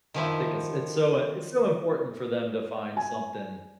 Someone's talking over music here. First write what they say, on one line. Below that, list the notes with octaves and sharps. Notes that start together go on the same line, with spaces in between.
Yeah, I think it's it's so, uh, it's so important for them to find something
D#3 F3 E4
G#5